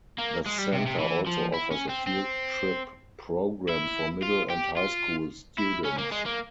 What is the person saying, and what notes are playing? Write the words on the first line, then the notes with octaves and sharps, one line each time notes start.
The center also offers a field trip program for middle and high school students.
A#3
G#3
G3
C3
C3
E3
F3
E4
C#4
C4
C4
E4
F4
G4
F4
E4
C#4
A#3
G#3
A#3